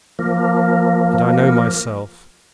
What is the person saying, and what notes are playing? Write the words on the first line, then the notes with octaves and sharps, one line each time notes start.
And I know myself.
F3 A#3